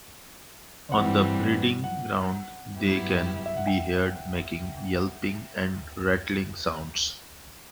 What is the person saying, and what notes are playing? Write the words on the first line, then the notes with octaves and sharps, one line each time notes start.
On the breeding grounds they can be heard making yelping and rattling sounds.
G2 E3 G3 C4 F#5
F#5
G2 F#3 B3 E4 G4
E5
F#5
E5 G5